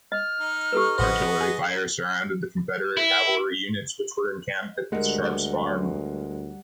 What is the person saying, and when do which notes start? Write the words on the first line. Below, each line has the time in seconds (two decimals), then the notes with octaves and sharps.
Artillery fire routed the Confederate cavalry units, which were encamped at the Sharp's farm.
0.12 D#5 F6
0.40 D#4
0.72 G4 A4 B4
0.98 A1 B3 F#4 C5 D#5
1.41 G#4
2.97 E4
4.92 D2 G3 G#3 A#4 F#5